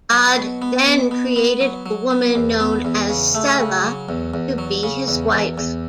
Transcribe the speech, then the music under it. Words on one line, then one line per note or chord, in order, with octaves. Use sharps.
God then created a woman known as Sela to be his wife.
F#3
B2
B3
B2
B3
B3
F#3
F#3
B3
E2
B3
E2
C#3
A3
C#3
F#3
E2
E2
F#3
C#3
E2
E2
E2